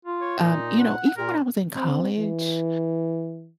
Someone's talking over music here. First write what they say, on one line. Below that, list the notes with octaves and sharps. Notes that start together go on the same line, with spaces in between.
um, you know, even when I was in college,
F4
C#5
A#2 D#4
F#5
A#2 A#4
C4
E3